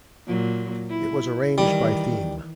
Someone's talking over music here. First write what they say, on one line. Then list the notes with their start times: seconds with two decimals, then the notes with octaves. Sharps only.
It was arranged by theme.
0.26 A#2 F#3
0.89 E4
1.58 D#3 E3 G3